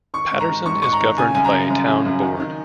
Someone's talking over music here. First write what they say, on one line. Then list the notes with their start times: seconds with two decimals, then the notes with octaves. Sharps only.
Patterson is governed by a town board.
0.14 D#3 C#6
0.32 G#2
0.40 A#5
0.49 D#3
0.66 G#2 C#6
0.82 G#2 C#6
0.92 A#5
1.00 D#3
1.18 C#3 G#5
1.34 F#2 G#5
1.44 A#5
1.53 C#3
1.70 F#2
1.88 C#3
2.05 F#2
2.23 D#3
2.40 D#3